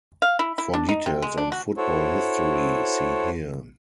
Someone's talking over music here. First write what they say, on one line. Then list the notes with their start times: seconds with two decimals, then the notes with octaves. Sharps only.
For details on football history, see here.
0.22 F5
0.39 E4
0.58 E4
0.74 D4
0.89 D#4
1.06 C3
1.22 G#3
1.38 D4
1.52 F#4
1.77 E4 F#4 A4 C5 C#5